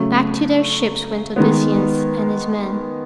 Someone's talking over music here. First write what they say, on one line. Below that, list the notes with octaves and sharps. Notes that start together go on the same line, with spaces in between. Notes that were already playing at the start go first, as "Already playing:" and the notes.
Back to their ships went Odysseus and his men.
Already playing: C#3 F#3 A3
D#3 G#3 B3